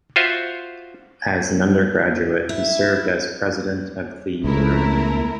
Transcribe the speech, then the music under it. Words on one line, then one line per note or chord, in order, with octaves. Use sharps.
As an undergraduate he served as President of the Durham Union.
F4 F#4 C5 E5
E4
C#2 A3 E4 A#4